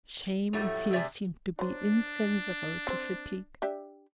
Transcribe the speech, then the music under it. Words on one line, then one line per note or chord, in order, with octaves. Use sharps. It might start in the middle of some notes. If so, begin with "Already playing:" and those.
Shame and fear seemed to be insensible to fatigue.
F2 A2 F#3 G3 A3
C3 G#3 F4 G4 D5 E5
F#3 D4 C5
C4 C5
D4 G4 E5